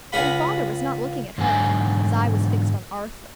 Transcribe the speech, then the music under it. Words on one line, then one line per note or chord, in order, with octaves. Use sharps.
But her father was not looking at her; his eye was fixed on Arthur.
C#2 G#4 F5 F#5 B5
G#2 D3 F#3 A3 G#5